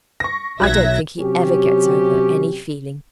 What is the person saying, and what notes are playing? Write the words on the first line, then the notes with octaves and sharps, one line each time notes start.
I don't think he ever gets over any feeling.
C#6 A#6
B1 F#3 E5 F#6 G#6 A#6
C3 F#3 C#4 G4